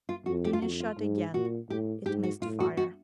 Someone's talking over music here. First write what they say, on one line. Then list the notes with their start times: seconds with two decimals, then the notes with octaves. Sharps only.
Dounia shot again: it missed fire.
0.09 F4
0.26 F2 F#4
0.45 G4
0.53 F4
0.62 F2 F#4
0.80 F4
0.98 G#2
1.34 A#2 F#4
1.70 A2 G4
2.06 G#2 G4
2.23 F#4
2.42 A2 F4
2.60 F#4
2.77 F#4